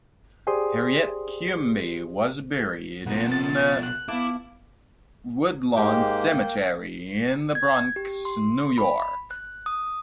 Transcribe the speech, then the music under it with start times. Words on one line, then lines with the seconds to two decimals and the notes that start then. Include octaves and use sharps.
Harriet Quimby was buried in the Woodlawn Cemetery in The Bronx, New York.
0.47 G4 G#4 C5 D5 C6 D#6
3.06 B2 F3 A#4 F#5
3.32 A6
3.83 F#6
4.09 B3 E4 F5 A5 D6
5.76 G#2 G#3 A#3 G4 G5
7.55 G#6
7.96 G4
8.25 C6
8.78 B5
9.31 F#6
9.66 D#6